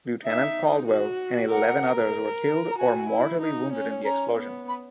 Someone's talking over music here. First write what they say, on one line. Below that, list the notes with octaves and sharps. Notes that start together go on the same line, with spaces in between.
Lieutenant Caldwell and eleven others were killed or mortally wounded in the explosion.
D#4 E5
F#4
A#4 F#5
A#4
A#5
F#4 G#5
E4
D#4
C#4
C#4 A#5
B3
B5